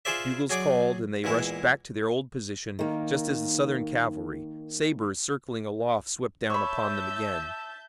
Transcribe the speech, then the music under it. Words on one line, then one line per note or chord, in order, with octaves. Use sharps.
Bugles called and they rushed back to their old position just as the Southern cavalry, sabers circling aloft swept down upon them again.
F4 G#4 C5 D5 E5
F#3 G#4 D5 D6
E2 A#2 G#3 E4
D#3 A#3
C#5 E5 A5 B5 E6 G6